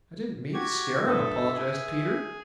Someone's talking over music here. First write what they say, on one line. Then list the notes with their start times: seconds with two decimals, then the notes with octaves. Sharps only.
"I didn't mean to scare him," apologized Peter.
0.54 F#4 G4 G#6
1.07 G2 A4 E5 D#6
1.54 G#4